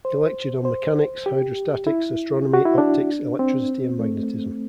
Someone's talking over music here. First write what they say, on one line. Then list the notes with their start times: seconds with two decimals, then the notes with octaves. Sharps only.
He lectured on mechanics, hydrostatics, astronomy, optics, electricity and magnetism.
0.05 C5
0.65 C5
1.26 G4
1.87 E4
2.54 F#4
2.65 E4
2.78 D4
3.39 C4
3.99 A3